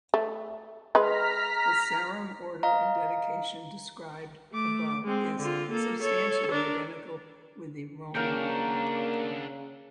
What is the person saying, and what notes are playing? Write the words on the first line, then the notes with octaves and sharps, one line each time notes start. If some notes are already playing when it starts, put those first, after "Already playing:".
The Sarum order of dedication described above is substantially identical with the Roman order.
A3
G#3 B4 A#5 F6 B6
D#5 F5 A#5
A3 D6
G#3 C4
D3 F4
A#3 A4
A4 C#5
D4 A#4
C#3 A#3 D4 F#4 A#4 G5